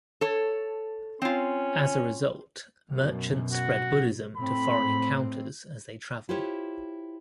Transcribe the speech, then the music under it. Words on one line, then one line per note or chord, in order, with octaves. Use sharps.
As a result, Merchants spread Buddhism to foreign encounters as they traveled.
A4 C#5
C4 C#4 F4
F#2 B2
F#4
A2 A3 C4 B5
E4 F4 G4 C5 C#5